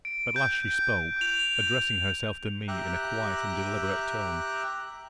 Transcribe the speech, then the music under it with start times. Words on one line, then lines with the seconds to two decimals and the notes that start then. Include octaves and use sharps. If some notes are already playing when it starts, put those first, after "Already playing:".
At last she spoke, addressing herself to me in a quiet and deliberate tone.
0.05 D7
0.36 G6
1.21 F7
2.68 G4 E5 G5 A#5 F#6